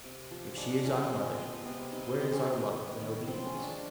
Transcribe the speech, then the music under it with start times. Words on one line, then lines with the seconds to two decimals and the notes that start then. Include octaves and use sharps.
If she is our Mother, where is our love and obedience?
0.04 C3
0.31 F3
0.57 G#3 D4
0.84 F3 C#4
1.12 G#3 C4
1.38 B3 C4
1.65 C3 B3
1.92 C3 D#4
2.20 D#3 C4
2.33 C#4
2.46 B3 C4
2.73 B3
3.01 D#3
3.27 F3 C4
3.46 C#4
3.54 G#3
3.63 D4